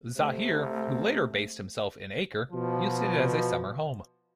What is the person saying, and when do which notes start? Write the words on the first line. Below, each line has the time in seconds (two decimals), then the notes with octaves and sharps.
Zahir, who later based himself in Acre, used it as a summer home.
0.17 C3 A3
2.52 B2 F3